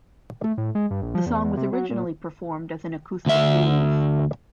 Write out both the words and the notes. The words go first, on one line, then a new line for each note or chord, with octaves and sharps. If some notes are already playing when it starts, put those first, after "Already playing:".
The song was originally performed as an acoustic blues.
A3
A2
G#3
G2
A#1
F3
E2
E2
C3
F#3
A#2
D2 E5